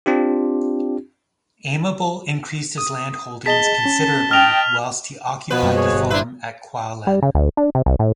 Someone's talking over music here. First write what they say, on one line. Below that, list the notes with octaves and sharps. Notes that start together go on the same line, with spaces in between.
Aimable increased his land holdings considerably whilst he occupied the farm at Qualen.
C4 D4 F4 G4
D#6
G#4 D#5 A5 B6 G7
C#4
D#5 G5 F6 F7
B2 F3 B3 B4
F#2 G3 A#3
G#4 C#5
G1 G2 G3
D4 E4 B4 C5 E5
G3
C#3
D2
D4
C3
C2
A2